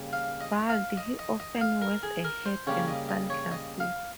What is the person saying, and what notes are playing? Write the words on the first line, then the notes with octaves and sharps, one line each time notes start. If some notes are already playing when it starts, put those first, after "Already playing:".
Bald, he often wears a hat and sunglasses.
Already playing: C#3 G3 A#3
F5
D#5
F5
D#5
D#5
D#5
F5
A#4
G#4
A#4
C5
C#3 G3 A#3 C#5
D#5
D#5
C#5
D#5
F5